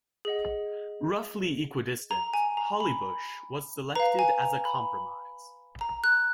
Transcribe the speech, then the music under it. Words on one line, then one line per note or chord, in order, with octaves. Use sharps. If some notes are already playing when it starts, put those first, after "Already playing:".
Roughly equidistant, Hollybush was selected as a compromise.
G#4 D#5 F#5
A#5
G#5
A#5
B5
B4 F5 A#5
G#5
A#5
B5
A#5
F#6